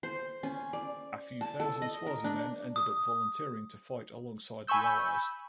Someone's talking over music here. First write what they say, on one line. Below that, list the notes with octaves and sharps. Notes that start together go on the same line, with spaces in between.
A few thousand Swazi men ended up volunteering to fight alongside the Allies.
C5
C#4
D5
A5
A4
D#5
A#4
D4
D#6
G#5 B5 C#6 E6 G6